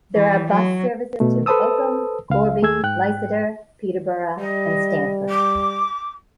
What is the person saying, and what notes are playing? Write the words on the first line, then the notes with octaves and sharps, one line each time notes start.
There are bus services to Oakham, Corby, Leicester, Peterborough and Stamford.
E3
F#3
B2 A3
A4 B4 C5 A5 D#6 E6
C#2 F5
D#2 A3 G#4 E6 G#6
G#2 G5 F#6
G3 D#5
D6